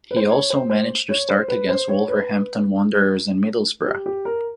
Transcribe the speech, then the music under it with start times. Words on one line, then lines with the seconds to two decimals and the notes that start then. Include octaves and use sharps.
He also managed to start against Wolverhampton Wanderers and Middlesbrough.
0.11 B4
0.16 C5
0.31 C#5
0.50 C5
0.70 C5
1.09 C#5
1.29 C5
1.48 B4
1.69 C5
1.88 C#5
2.08 B4
3.86 G4
4.06 G4
4.25 A#4